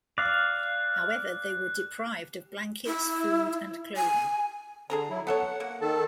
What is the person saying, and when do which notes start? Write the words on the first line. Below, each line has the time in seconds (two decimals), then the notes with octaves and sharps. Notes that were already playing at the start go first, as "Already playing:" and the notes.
However, they were deprived of blankets, food, and clothing.
0.18 D5 F5 F#6
2.86 E4
3.97 G#5
4.90 D3 G#4 A4 A#5
5.10 F#3 E4
5.27 B3 A4 C#5 F#5
5.60 A#3
5.81 D#3 A4 A5